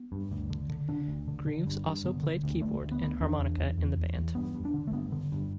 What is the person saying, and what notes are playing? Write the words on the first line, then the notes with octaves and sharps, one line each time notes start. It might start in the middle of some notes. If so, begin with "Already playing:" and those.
Greaves also played keyboard and harmonica in the band.
Already playing: B3
G2
D2
D3
D3
D3 D4
D2
D3
D3
G2
G2
D3 B3
D3
D2
D3 A3
D2
B3
D2
E2 D4
E2
E2
E2
E2
E2
G2 B3
G2
D4
D3
A3
G2 B3
D3
G2